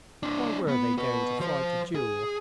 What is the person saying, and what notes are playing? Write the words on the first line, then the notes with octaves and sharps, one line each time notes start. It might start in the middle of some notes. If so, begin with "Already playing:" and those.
Why were they going to fight a duel?
C4 D4
B3
F#4 B4
F3 C5
G#4